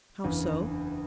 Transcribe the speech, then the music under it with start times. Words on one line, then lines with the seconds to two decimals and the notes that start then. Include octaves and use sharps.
"How so?"
0.24 F#1 E2 C#3 E3 D4
0.70 D4